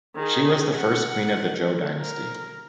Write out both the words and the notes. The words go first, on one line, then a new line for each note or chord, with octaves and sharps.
She was the first queen of the Zhou dynasty.
D#3 G#4
F#5
A#4